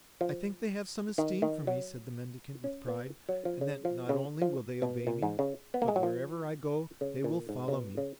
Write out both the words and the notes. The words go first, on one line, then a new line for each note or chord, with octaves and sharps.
"I think they have some esteem for me," said the mendicant with pride, "and that not only will they obey me, but wherever I go they will follow me."
F3
D#3
D#3
F#3
C#4
B3
F#3
F3
C#3
F3
C#3
F3
B2
A#2
G#2
C#3
B3
A#3
G#3
F#3
F3
C#3
A#2
G#2
C#3
B2
C#3